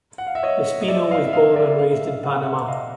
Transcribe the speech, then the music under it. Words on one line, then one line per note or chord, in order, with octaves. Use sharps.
Espino was born and raised in Panama.
F#5
F5
E5
C#5 D#5
D#5
D5 E5
D#5 F5
E5
D#5 F5
D5 E5
F5
E5
D#5 F5
F#5
F5
E5 F#5
E5
D#5 F5